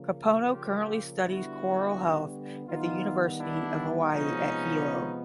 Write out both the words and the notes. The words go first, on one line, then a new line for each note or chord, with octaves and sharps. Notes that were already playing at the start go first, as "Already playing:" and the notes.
Kapono currently studies coral health at the University of Hawaii at Hilo.
Already playing: C#3 F3 A#3
F4 G4
D3 G3 B3 E4 F#4
D#3 G3 B3 D#4 F4
D4 E4
C3 F3 G#3 B3 C#4 D#4